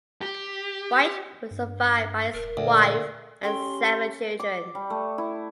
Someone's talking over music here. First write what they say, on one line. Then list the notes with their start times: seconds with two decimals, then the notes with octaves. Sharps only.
White was survived by his wife and seven children.
0.21 G4
1.51 G2
2.34 D#1 A#4
2.57 D2 A#2
3.43 C#4 G4 A4 G5 C6
4.40 D6
4.75 G3
4.90 A3
5.18 E4